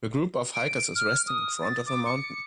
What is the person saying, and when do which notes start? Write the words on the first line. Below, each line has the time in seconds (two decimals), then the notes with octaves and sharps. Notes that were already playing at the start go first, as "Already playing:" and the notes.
The group of hikers is resting in front of a mountain.
0.54 D7
0.96 F6
1.27 D#6
1.62 A6
1.86 D6
2.06 C#7